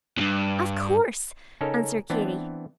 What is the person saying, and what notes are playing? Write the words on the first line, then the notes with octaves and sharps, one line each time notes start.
"Of course," answered Katy.
E2 G2
C#3 C#4 D#4 A4 A#4
E3 B3 C4 D4